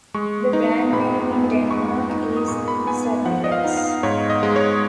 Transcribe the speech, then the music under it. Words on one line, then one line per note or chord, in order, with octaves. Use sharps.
The brand name in Denmark is Sabrilex.
G#3 C#6
D#4
A#2 B5
B3
G#3 C#6
D#4
D#6
A#2 C#6
B5
B3 G#5
F3 F#5
D#5
F5
D#4
F5
G#2 C#5
D#5
G#3
C#5